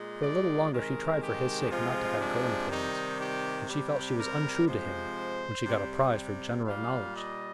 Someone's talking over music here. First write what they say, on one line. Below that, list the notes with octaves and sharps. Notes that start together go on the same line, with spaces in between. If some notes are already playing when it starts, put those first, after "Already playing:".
For a little longer she tried for his sake not to have growing pains; and she felt she was untrue to him when she got a prize for general knowledge.
Already playing: A#2 G#3
D5
C3 D#3 G#3 A#4
G4
C3 F3 G#3 F4
D4
C3 D#3 G3 D#4
G4
C3 G3 G4
A#4
C3 F3 G#3 C5
C3 G3
A#2 G3 F5
D#5